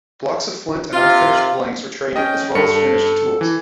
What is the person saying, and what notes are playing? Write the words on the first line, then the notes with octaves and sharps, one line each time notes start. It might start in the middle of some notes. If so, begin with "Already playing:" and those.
Blocks of flint and unfinished blanks were traded, as well as finished tools.
C3 F4 F5
C#4 D#5 G5
G2 A4 C#7
E3